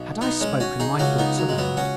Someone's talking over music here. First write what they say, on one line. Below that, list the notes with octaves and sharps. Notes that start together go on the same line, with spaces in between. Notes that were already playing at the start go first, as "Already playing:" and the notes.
Had I spoken my thought aloud?
Already playing: B1 B2
B3 D#4
G#3 C#4
C#4 F#4
D#4 G#4
C#2 C#3 C#4 F#4
B3 D#4
F#3
G#3
F#3 B3
C#4 F#4